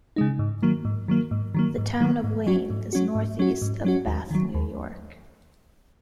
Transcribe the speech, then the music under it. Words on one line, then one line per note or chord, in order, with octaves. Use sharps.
The Town of Wayne is northeast of Bath, New York.
C#3 G#3 D#4
G#2
D#3 F#3 A#3
G#2
D#3 F#3 A#3
G#2
D#3 F#3 A#3
G#2
D#3 F#3 A#3
G#2
F#3 C#4 F#4
G#2
F#3 C#4 F#4
G#2
F#3 C#4 F#4
G#2
F#3 C#4 F#4
D#2
D#3 F#3
D#2